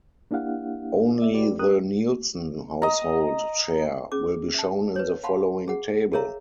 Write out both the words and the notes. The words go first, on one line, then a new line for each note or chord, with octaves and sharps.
Only the Nielsen household share will be shown in the following table.
A#3 D4 E4 G4 F5 F#5
D5 E5
F#4 G4 B4 D5
G4 A#4 D#6 F#6
D#5 A#5
C#4 G#4 D6
E5 A5
B4 C#5
F5 F#5 A5 B5 C6
G#4 F#5
G#4 A#4 C#5 E5 F5 A#5